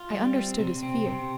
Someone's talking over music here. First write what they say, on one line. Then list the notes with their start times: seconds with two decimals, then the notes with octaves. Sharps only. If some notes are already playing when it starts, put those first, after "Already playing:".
I understood his fear.
Already playing: F4
0.10 G3
0.34 C4
0.59 C3
0.83 C4
1.07 C3